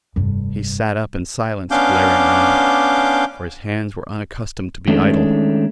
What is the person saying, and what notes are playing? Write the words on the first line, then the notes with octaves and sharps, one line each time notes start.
And he sat up in silence glaring round; for his hands were unaccustomed to be idle.
F1 G2
B3 C#4 D4 F5 D6 G6
D#3 G#3 A3 C#4 D4